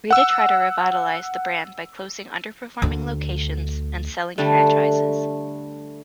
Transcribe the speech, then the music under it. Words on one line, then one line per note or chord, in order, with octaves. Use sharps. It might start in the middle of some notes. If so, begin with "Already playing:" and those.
Rita tried to revitalize the brand by closing under-performing locations and selling franchises.
F#5 E6
D2 D3
D3 G3 A3